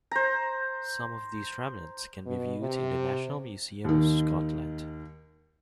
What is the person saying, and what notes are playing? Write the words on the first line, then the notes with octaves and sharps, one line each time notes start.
Some of these remnants can be viewed in the National Museum of Scotland.
C5 A#5
B2
C3
D#2 D#3